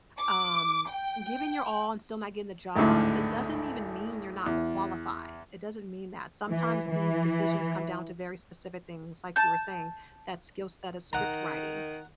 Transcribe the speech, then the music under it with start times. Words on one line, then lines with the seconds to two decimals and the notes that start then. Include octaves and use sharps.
um, giving your all and still not getting the job, it doesn't even mean you're not qualified, it doesn't mean that. Sometimes these decisions come down to very specific things, like you were saying, that skill-set of script writing.
0.19 D6
0.90 G5
2.75 G#1 D2 A2 D3
4.46 E2
6.49 E3
6.90 E3
9.36 A5 G6
11.13 D#3 F#5 A#5